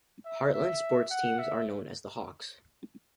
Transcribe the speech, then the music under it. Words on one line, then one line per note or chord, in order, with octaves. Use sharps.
Heartland's sports teams are known as the Hawks.
E5
E5
F#5
E5